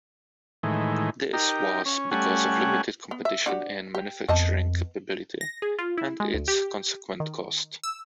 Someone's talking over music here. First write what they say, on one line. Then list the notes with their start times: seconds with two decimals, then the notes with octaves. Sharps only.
This was because of limited competition in manufacturing capability and its consequent cost.
0.63 A2 D#3 E3 G#3
1.33 D#4 G4 A#4
1.86 C#4
2.11 G3 A3 C#4 F#5 G#5
3.11 B3
3.25 E5
3.46 D4 F#4 G4
3.95 G4
4.29 F2 B3 D#5 A5
5.41 A#6
5.62 G#4
5.79 F4
5.98 E4
6.20 G#3
6.34 D2
6.48 G4
7.20 D#3
7.83 E6